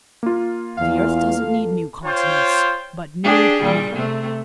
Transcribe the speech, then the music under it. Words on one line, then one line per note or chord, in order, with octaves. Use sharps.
"The earth doesn't need new continents, but new men!"
A#3 F4
E2 F5
E2 A4
F4 C5 C#5 G5
D4 G4 G#4
A#2 G3
C3 A3